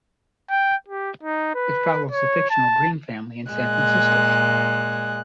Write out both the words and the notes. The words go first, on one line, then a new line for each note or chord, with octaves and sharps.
It follows the fictional Green family in San Francisco.
G5
G4
D#4
B4
C#5
A5
A#2 G#3 F#6